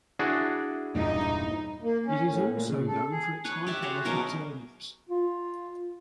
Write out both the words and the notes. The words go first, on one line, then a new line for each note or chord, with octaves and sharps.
It is also known for its high quality turnips.
D4 E4 F#4 G#4
E1 G2 A#2 D#4
A#3
C#4
A2
A#2
C#3
A4
G#4
B4 C#5 F#5
G4 D5 E5 F#5
F#4 G#4 C5 C#5
B2 F#3 C#4 A#4
F4